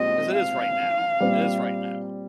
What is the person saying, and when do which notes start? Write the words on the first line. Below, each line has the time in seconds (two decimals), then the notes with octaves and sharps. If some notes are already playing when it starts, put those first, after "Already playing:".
'Cause it is right now. It is right now.
Already playing: A#2 G#3 C4 G4 D#5
0.35 F5
1.20 A#2 G3 C4